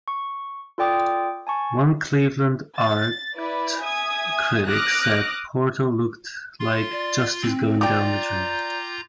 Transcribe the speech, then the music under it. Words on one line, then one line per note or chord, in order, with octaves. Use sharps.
One Cleveland art critic said "Portal" looked like "justice going down the drain".
C#6
F4 A4 D5 G5 D6 D#6
G#5 A5 C#6
A6
E4 B4 D5
E5 G#5 D#6 G#6
D6 D#6 F6 F#6 A#6
F4 C6
D5
C4
F4 D5 G5 A#5 D6 G6